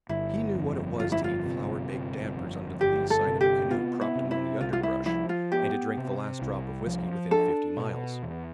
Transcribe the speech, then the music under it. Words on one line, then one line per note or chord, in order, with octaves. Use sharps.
He knew what it was to eat flour-baked dampers under the lee side of a canoe propped among the underbrush, and to drink the last drop of whiskey within fifty miles.
G1 E4
F2
G1 F4
E4
F4
C3
G1
F2
G1 G4
A4
C3
G4
B3 F4
E4
C3
E4
C2 F4
F4
E4
F3 E4
F4
B3 G4
C3
C2
F3
D4 A4
B2
E2